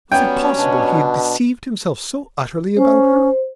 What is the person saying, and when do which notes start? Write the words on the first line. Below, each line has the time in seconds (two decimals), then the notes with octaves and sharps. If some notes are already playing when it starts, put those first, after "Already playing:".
Was it possible he had deceived himself so utterly about her?
0.12 F#3 G3 B3 C#4 G5
0.57 B2 D4
2.77 C#4 C5